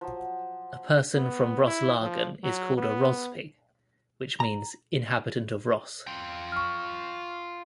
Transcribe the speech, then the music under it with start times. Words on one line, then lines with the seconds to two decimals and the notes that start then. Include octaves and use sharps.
A person from Roslagen is called a "Rospigg" which means "inhabitant of Ros".
0.01 F3 F#3
1.15 B3
1.67 E4
2.01 F3
2.44 F#3
2.77 B3
4.40 A#5
6.07 F4 G5
6.52 C#6 F6